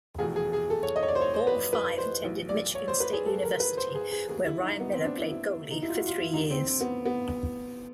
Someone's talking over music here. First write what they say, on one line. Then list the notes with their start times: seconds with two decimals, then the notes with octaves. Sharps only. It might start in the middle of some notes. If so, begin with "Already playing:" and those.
All five attended Michigan State University, where Ryan Miller played goalie for three years.
0.18 F1 E2 B2 G#4
0.36 G#4
0.53 G#4
0.70 A4
0.83 C#5
0.96 D#5
1.03 C#5
1.08 D5
1.15 C5
1.21 C#5
1.34 C5
1.47 B4
1.73 B4
1.98 C5
2.24 B1 A2 E3
2.49 D5
2.75 C#5
2.88 C5
3.00 B4
3.13 G#4
3.26 A4
3.43 A#4
3.60 B4
3.77 C5
3.95 G#4
4.12 G#4
4.28 D#2 D#3 G#4
4.46 E4
4.63 D#4
4.80 B3
4.93 C4
5.05 D4
5.18 E4
5.31 E4
5.71 D#4
5.82 E4
5.89 F4
5.95 F#4
6.08 F4
6.21 E4
6.33 D#2 D3 D#4
6.51 C4
6.68 C4
6.81 B3
7.05 B3